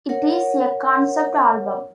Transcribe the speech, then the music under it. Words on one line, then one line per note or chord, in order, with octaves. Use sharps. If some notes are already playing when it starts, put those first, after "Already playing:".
It is a concept album.
A#4 C#5 F#5